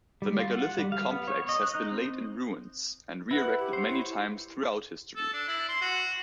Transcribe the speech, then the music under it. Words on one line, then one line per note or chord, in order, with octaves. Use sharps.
The megalithic complex has been laid in ruins and re-erected many times throughout history.
G3
F4
F#5
G3
F5
B3
C#5
D#5
F#6
D#4
C4
E4 B4 F#5
G4
C5 C#5
E4
A4
D4
E4
C6
F#4